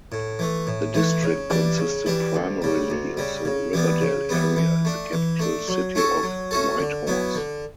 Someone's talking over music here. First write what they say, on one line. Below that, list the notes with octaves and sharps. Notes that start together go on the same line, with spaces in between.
The district consisted primarily of the Riverdale area in the capital city of Whitehorse.
A2
E3 A3
A2
E3 A3
C#3
E3 G3 D4
C#3
E3 G3 D4
D2
C#3 G3
D2
C#3 G3
C#3
E3 G3 B3
C#3
E3 G3 B3
E3
A3 D4
E3
A3 D4
F#3
A3 C#4 F#4 A4
F#3
A3 C#4 F#4 A4
D3
F#3 B3 E4
D3